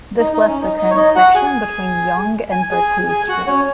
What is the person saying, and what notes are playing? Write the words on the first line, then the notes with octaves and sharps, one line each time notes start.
This left the current section between Yonge and Berkeley Street.
D#4
D#4
C#4
D#4
D#4
C#5
D#4 D#5
F#4 F#5
G#4 G#5
G#5
G#4 G#5
G#4 G#5
F#4 F#5
C#4 C#5